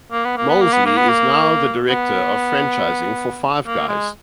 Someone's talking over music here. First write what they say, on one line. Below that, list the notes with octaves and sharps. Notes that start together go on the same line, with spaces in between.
Moseley is now the Director of Franchising for Five Guys.
A#3
B3
A#3
B3
A#3
B3
A#3
B3
A#3
B3
A#3
G#3